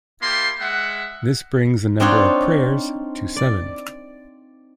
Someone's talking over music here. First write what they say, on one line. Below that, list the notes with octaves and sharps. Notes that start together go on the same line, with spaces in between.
This brings the number of prayers to seven.
A#3 E4 G4 A5 C6
G#3 E5 F#5
C4 D4 D#4 F4 C#5 F#5
D5